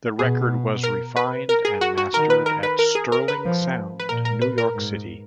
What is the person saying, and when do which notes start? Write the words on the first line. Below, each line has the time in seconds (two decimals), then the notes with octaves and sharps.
The record was refined and mastered at Sterling Sound, New York City.
0.19 B2 G#4
0.83 A#4
1.16 B4
1.49 A#4
1.65 G#4
1.81 F#4
1.97 F#4
2.14 D#3 A#4
2.30 B4
2.46 A#4
2.63 B4
2.79 A#4
2.95 G#4
3.12 A#4
3.28 B4
3.44 F3
4.00 B4
4.09 A#2 A#4
4.25 A#4
4.42 B4
4.58 A#4
4.74 G#2